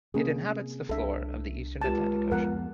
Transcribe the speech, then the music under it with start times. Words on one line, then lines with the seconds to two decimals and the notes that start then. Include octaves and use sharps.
It inhabits the floor of the eastern Atlantic Ocean.
0.14 C3 A#3 C#4 G#4
0.89 C2 D4 A4 E5
1.81 C#2 G4 A5
2.31 F2 F3 B3 A#4 F#5